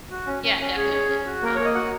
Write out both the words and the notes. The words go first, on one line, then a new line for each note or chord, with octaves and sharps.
Yeah, definitely. Um,
F#4
C#4
C#4
C#4
G#4 C#5
G#4
C#4
F#4
A#3 A#4
A#3 C#5
D#5
F#4 F#5